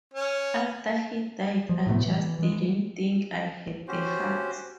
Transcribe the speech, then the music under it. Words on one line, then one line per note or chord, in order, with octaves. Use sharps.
After he died I just didn't think I had the heart.
C#4
F3
A2 C3 A3 B3
E3
E3 G#3
C#4 F#4 G4 C5